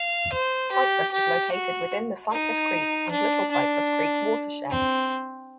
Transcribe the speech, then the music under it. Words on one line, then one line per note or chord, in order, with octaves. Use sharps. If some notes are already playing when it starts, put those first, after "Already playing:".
Cypress is located within the Cypress Creek and Little Cypress Creek watershed.
Already playing: F5
C5
G4
G4
F#4
D#4
D4
D4
C4